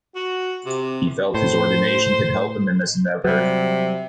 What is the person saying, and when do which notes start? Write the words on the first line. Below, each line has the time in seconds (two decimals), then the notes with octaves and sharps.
He felt his ordination could help him in this endeavor.
0.15 F#4
0.66 C3
1.34 A2 C5
3.25 C3 F#3 G3